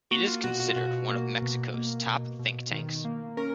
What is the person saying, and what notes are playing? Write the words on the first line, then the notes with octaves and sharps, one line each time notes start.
It is considered one of Mexico's top think tanks.
A#3 F#4
F4
B2 F#4
F#4
F4
B2 F#4
A#3
B2
A#3
B2
B2
D#3
A#3
C#4 A#4